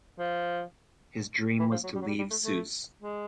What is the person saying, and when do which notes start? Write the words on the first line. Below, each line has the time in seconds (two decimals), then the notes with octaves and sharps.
His dream was to leave Sousse.
0.19 F3
1.59 E3
1.71 F3
1.84 F#3
1.95 G3
2.02 F#3
2.07 G3
2.18 G3
2.30 A3
2.42 A3
3.02 G#3